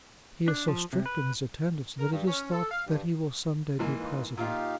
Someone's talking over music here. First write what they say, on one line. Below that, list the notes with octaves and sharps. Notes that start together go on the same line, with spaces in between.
He is so strict in his attendance that it is thought that he will some day be president.
D4
F3
C3
B4
A#4
G2
C#4
A4
F5
G2
G#2 E3 A#3
D#4 F4 B4
A#2 D#4 F4 G4 F5